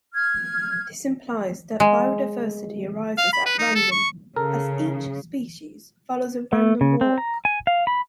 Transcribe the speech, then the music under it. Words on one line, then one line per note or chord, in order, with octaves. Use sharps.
This implies that biodiversity arises at random, as each species follows a random walk.
F6 G#6
G#3
F5
B5
B4
D#4
A4
C#6
C#3 A4 A#4
A3
C#3
C4
A#5
G#5
F5
B5